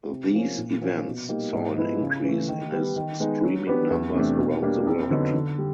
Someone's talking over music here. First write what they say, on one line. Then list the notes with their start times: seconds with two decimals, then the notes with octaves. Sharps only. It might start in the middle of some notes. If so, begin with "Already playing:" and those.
These events saw an increase in his streaming numbers around the world.
0.10 C3
0.33 F3 A#3 C#4
0.58 A#2
0.81 F3 A#3 C#4
1.05 B2
1.29 G3 A#3 D#4
1.53 G#2
1.77 F3 G#3 B3 E4
2.01 C#3
2.24 E3 A3
2.48 D#3
2.72 G3 B3
2.96 D#3
3.20 G#3 B3 D#4
3.44 F#3
3.67 B3 D4 G4 B4
3.90 E2
4.15 C3 E3 A3 D4
4.39 B2
4.62 G3 A#3 D4
4.86 F2
5.10 D3 F#3 B3 D#4
5.33 D3
5.58 G3